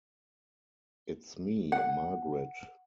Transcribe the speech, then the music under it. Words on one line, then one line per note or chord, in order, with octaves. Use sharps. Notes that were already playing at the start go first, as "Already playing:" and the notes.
It's Me, Margaret.
F#5